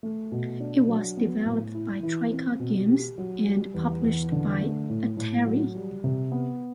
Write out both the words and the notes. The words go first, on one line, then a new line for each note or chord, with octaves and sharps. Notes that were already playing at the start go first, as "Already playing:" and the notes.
It was developed by Troika Games and published by Atari.
A3
B2
D4
F#3
B3
A2
E4
E3
C4
B2
G4
F#3
G3
E2
E2
D3
A3
A2
A2
F#3
G3
C3
B3